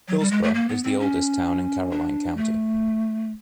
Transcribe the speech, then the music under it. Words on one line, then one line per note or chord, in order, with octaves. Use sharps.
Hillsboro is the oldest town in Caroline County.
F#3
G3
G#3
A3
A#3
B3
C4
C#4
D4
A3